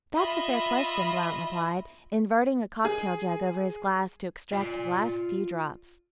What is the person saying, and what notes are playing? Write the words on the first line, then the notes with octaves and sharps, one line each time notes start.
"That's a fair question," Blount replied, inverting a cocktail jug over his glass to extract the last few drops.
F4 D#5 E5 B5
G#4
F4 D5